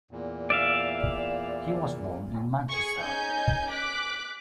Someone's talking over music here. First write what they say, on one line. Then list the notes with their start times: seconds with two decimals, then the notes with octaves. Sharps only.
He was born in Manchester.
0.11 E2 A#2
0.50 D5 E5 F5
2.69 G#4 C#6
2.99 C#4 D#4 G#5 G6
3.70 D6 F#6 B6